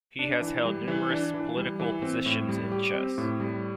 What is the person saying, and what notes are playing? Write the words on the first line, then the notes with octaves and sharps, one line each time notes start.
He has held numerous political positions in chess.
D4
E3
G3
E3
D4
E3
G3
E3
C4
A2
G3
G4
C4
A2
G3